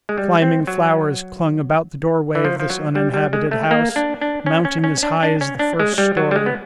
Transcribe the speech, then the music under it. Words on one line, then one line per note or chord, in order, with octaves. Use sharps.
Climbing flowers clung about the doorway of this uninhabited house, mounting as high as the first story.
G#3
G3
C4
F#3
E3
F3
F3
F#3
G3
G3
G#3
A3
A#3
D4
D4
C#4
C#4
C#4
D4
D4
C#4
D4
G#3
G3
F#3
G3
G#3
B3